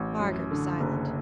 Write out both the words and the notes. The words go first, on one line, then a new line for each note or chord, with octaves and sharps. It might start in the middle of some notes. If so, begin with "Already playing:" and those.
Margaret was silent.
Already playing: A1
F#2
D3
F#1